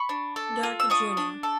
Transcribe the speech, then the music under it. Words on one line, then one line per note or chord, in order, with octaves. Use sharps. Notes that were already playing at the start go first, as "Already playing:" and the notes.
Durkee Jr.
Already playing: B5 C#6
D4
A4
F4
E6
D4 C#6 D#6
D4
A4